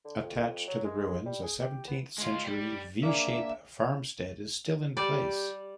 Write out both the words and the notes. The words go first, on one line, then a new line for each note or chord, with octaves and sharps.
Attached to the ruins, a seventeenth-century v-shape farmstead is still in place.
D3
F2
F#3
G#3
G3
G#4
G4
B3
G#3 F4
G3
A#3 D4 G#4 E5
G3 G4 D5